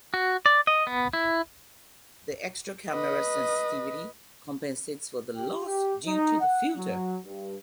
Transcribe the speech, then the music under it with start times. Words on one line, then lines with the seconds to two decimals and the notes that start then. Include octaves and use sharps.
The extra camera sensitivity compensates for the loss due to the filter.
0.14 F#4
0.46 D5
0.67 D#5
0.87 B3
1.13 E4
2.89 B4 D#5
5.35 G4
5.65 G4
6.06 D#4
6.40 F#5
6.77 F#3
7.26 G2